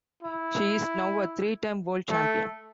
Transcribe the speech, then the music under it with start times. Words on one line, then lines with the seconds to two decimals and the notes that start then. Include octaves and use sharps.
She is now a three time World Champion.
0.23 E4
2.10 A3